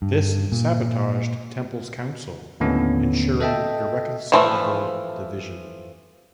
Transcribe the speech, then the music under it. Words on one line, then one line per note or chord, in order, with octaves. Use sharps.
This sabotaged Temple's Council, ensuring irreconcilable division.
G2
A#2
D#2 A2 D3 B3 C#4
A4 D#5 E5 G5 A5
E3 F3 A3